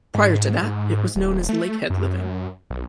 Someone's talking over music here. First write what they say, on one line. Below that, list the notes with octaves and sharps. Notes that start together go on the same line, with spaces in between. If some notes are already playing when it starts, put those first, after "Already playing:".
Prior to that it was known as "Lakehead Living".
G#2
G#2
D#1
A3
F#2
B1